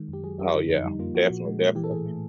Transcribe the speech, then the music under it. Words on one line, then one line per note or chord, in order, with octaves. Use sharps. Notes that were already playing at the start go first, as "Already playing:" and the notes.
Oh, yeah, defin definitely.
Already playing: D#3 G#3
F#2 G4
F#3 G#4
F#2 G4
D3 F4
F2 D#4
G3 D#4
A#3 F4
F3 F#4
A#2
G#3
A#2
E3 G4
A4
A2 G#4
A3